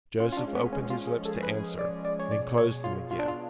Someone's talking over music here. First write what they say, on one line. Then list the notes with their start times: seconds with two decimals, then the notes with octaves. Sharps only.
Joseph opened his lips to answer, then closed them again.
0.19 C#4 F4
0.32 F4
0.37 D4
0.46 G#3
0.55 B3
0.72 F3 C#4
0.90 F4
0.99 C#4
1.07 G#4
1.25 G#4 A4
1.43 B4
1.52 G#4
1.79 C#4 D5
2.05 G#4 D5
2.20 C#5
2.30 B2 D5
2.58 B2 C#5
2.84 B2 F4
3.10 B2 F4
3.19 D4
3.28 F4